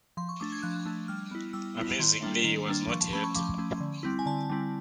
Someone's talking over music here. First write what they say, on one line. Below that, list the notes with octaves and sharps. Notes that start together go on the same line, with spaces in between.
Amazingly, he was not hurt.
F3 C6
C#6
A3 D4 D6
G#6
F3 F#6
A3 D4
G3 F6
B3 E4
G3 E6
B3 E4
D#3 C6
G3 A#3 D4
D#3
G3 A#3 D4
F3 C#6
A5
A3 C#4 B5
C#6
F3 D6
A3 C#4
D3
G3 C4 E4
G#5
D3 A5
G3 C4 E4